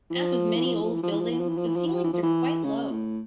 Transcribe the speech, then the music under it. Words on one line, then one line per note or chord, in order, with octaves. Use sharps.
As with many old buildings, the ceilings are quite low.
E3
F3
E3
F3
E3
F3
E3
F3
E3
F3
E3
F3
E3
F3
E3
F3
E3
F3
E3
F3
E3
C#3
A2